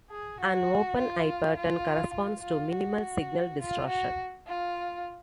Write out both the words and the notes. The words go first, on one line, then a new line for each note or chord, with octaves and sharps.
An open eye pattern corresponds to minimal signal distortion.
G#4
F#4
F4
F4
F4
F4
F#4
F4
F#4
F4